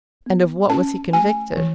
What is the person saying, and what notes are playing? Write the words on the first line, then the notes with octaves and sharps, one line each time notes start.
"And of what was he convicted?"
B3
C#4 A5
A3 G#5
E3